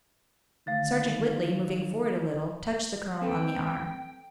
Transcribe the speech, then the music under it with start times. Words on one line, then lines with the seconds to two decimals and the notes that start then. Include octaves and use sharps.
Sergeant Whitley, moving forward a little, touched the colonel on the arm.
0.67 D3 D#3 A3 F5 A6
3.21 C4 A4 B4 G5